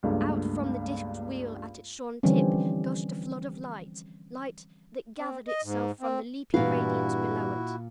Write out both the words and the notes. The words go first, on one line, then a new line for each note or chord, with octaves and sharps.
Out from the disked wheel at its shorn tip gushed a flood of light--light that gathered itself from the leaping radiance below it.
C#2 G2 A3 A#3
D3 E3 F3 G3 C4 C#4
C4
D#5
G#2
C4
G2 A#2 E3 E4 F#4 F5